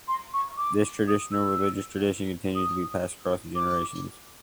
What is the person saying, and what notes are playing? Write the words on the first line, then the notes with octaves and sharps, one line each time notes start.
This traditional religious tradition continues to be passed across the generations.
C6
C#6
D6
D#6
E6
D#6
D6